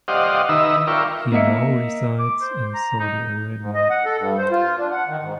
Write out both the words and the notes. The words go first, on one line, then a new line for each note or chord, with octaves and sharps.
He now resides in Saudi Arabia.
G4 C5 D5 D#5 F5 F#5
D#3 D#4 B4 E5 E6
F4 A#4 D5 E5 G5 C#6
A#3 D#5 E5 C#7
D6
C5
A#5
D#4
G#2
D#5
F#5
A4
G2
C5
F4
D4
F#5
D#3
G#2